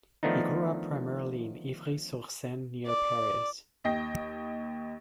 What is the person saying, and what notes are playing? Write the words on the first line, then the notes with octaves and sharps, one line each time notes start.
He grew up primarily in Ivry-sur-Seine near Paris.
D#3 F3 A3 B3 D4 D#4
D5
D#2 D#5 G5 A#6